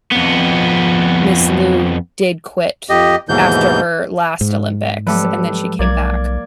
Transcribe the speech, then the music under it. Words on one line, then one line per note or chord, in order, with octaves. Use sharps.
Miss Liu did quit after her last Olympics, and then she came back.
F2 B3
F2 G4 D#5
D#2 G#2 B2 E3 G6
G#2
F3 F#3 G#3 G4 A4 B4
B1 A#3 D5 G#6